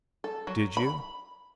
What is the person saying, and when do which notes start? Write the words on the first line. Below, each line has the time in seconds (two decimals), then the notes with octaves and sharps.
"Did you?"
0.24 A4
0.47 F#3
0.77 B5